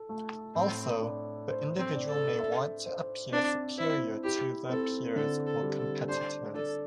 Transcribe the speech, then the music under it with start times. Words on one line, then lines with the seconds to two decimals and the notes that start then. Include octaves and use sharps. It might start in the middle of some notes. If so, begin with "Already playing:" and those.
Also, the individual may want to appear superior to their peers or competitors.
Already playing: A4
0.09 A3
0.55 A2 C4
1.02 D4
1.48 C5
1.79 C4
1.94 D4
2.09 A4
2.40 E5
2.86 C5
3.32 C4 D4
3.78 E4 C5
4.24 E4 G4
4.70 C4 A4
5.16 D3 A4
5.46 A4
5.62 G3
5.78 A4
6.09 D4 C5
6.54 D4 A4